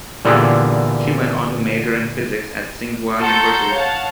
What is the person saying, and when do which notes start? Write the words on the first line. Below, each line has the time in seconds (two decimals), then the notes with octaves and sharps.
She went on to major in physics at Tsinghua University.
0.25 A#2 D3 E3 B3 G4 G#4
3.17 F#4 A4 A#5 C6 G6 C#7
3.72 C#5 F5 F#5 A5